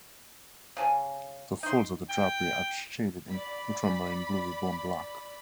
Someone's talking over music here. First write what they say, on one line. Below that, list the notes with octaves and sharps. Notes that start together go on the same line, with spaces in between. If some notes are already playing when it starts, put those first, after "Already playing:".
The folds of the drapery are shaded in ultramarine blue with bone black.
C#3 G#5 A5
D#4 C6
G5
D5 B5